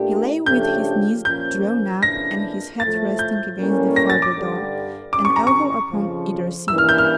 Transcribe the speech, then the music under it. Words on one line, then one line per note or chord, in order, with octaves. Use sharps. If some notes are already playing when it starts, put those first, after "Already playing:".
He lay with his knees drawn up, and his head resting against the farther door, an elbow upon either seat.
Already playing: A#2 A3 D4 G4
C#3 F3 A3 D4 G4 G6
A#2 F3 A#3 C#4 G6
F2 C#3 E3 A#3 D4 A#6
A2 F3 A3 A6
G6
A2 G3 A#3 C#4
A#6
A6
D6
G2 D3 G3
A2 E3 G3 C#4 D6
C#6
A#5
C#6
F2 C#3 F3
G2 E3 A#3 C#4 E4 E6
F6
G6
F6